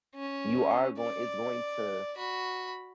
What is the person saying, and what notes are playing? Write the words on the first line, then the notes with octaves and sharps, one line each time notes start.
you are goin it's going to,
C#4
D5
F#4 B5